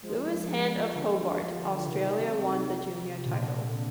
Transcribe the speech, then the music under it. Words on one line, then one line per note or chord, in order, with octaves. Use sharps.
Lewis Hand of Hobart, Australia won the junior title.
F3 G#3
D3 F3
C3 D#3
C3 D#3
C3 D#3
C3
A#2 D3